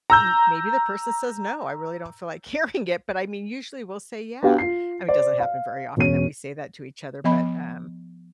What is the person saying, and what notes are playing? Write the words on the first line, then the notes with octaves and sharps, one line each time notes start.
m maybe the person says, "No, I really don't feel like hearing it," but, I mean, usually, we'll say, "Yeah." I mean, doesn't happen very often that we say that to each other, but, um,
A#5 E6 G6
B3 D4 F#4 G4 F5
F4 C7
C5 D5
F5
E1 C#4 D#7
F3 B3 D#5 B5